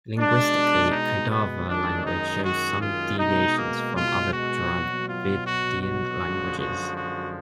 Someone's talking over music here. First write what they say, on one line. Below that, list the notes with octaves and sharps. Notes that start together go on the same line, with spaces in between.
Linguistically, Kodava language shows some deviations from other Dravidian languages.
B2 G#3 D4
D#4
B3
F#2 D#3 G#3 D4
D#4
F#4
F4
B2 G#3 D#4
A#3
F4
F#4
B2 F#3
F4
F#4
F#4
F#2 D3 F3 G#3
F#4
F#4